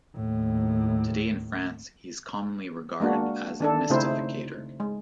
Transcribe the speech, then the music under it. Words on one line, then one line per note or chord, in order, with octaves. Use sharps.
Today in France he is commonly regarded as a mystificator.
D#2 A2
G#3 A#3 D4 F#4
D#3 D4 A4
C#3 A3 C4 D#4 E4 C5
G#3